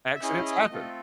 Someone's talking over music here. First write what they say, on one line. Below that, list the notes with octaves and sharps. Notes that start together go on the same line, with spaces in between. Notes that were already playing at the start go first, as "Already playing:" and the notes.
Accidents happen.
E5
C#4 E4 G#4 D#5
A3 C4 F4 A4